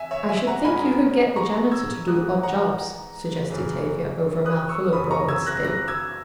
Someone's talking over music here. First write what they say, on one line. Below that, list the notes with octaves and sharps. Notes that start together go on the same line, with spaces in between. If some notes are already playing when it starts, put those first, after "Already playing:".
"I should think you could get the janitor to do odd jobs," suggested Tavia, over a mouthful of broiled steak.
Already playing: E2 E5 G#5
C#5 E5
E5 G#5
F#5 A#5
G#2 D#3 G#5 B5
A#5 C#6
E6 G#6
G#2 E3 D#6 F#6
F#5 A#5
F#2 C#3 E3
D#6 F#6
C#6 E6
F#2 C#3 E3 B5 D#6
A#5 C#6
E6 G#6
F#6 A#6
F#6 A#6
E6 G#6